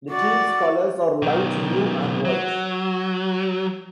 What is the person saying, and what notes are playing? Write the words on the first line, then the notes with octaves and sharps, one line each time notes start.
The team's colors are light blue and white.
F#4 D5
B1 D#3
F#3